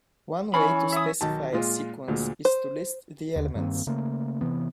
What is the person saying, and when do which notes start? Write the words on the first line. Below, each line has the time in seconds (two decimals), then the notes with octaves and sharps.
One way to specify a sequence is to list the elements.
0.54 E3 C#4 C#5 B5
0.92 E5 D#6
1.21 B1 D#3 A5
1.53 A#2 G#3 F4
2.08 D2 A#2 G#3
2.45 C5
3.36 D#2 D3
3.55 G2 D#3 A#3 C4
3.87 C#3 A3 A#3
4.41 C3 E3 B3